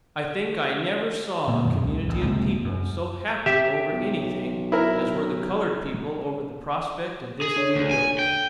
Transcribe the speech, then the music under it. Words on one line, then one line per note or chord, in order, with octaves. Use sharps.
I think I never saw a community of people so happy over anything as were the coloured people over the prospect of this new building.
A#2 D3 A#3
F#2 B2 D#3 F#3
C#2
A1 D2
F#1 C3 G#3 A#3
F#2
G4 E5
B1
E4 A#4
G#4
D4 A4 C#5
D2
G#5
G5